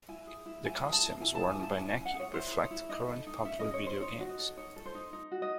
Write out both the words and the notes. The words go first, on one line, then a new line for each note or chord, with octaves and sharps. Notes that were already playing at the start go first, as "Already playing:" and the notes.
The costumes worn by Necky reflect current popular video games.
E4 G#5
G#4
E4
E4 G#5
G#4
A5
E4
E4 G#5
A5
G#4
G#5
E4 A5
C#4 G#5
E4 G#5
F#5
G#4 C#5
E4 C5
G#4
C#5
E4
D#4 D#5
A4
D#4
C#4 E5
G#4 D#5
C#5
C#4 C5
D#4 C#5
F#4
D#5
A4
D#4 C#5
A4
C5
D#4
D#4
F#4
D#5